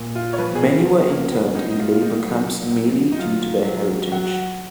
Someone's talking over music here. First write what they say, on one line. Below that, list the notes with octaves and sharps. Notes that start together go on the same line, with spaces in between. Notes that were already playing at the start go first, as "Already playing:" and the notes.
Many were interned in labor camps merely due to their heritage.
Already playing: A#2
F4
C#5
F3 B4
G#4
A#4
F3 B3
A#3
F#3 B3
C#4
D#4
D#4
B2 F4
F4
D#4
F#3
F#3
D#4
F#3 F4
F#3
F#3 F#4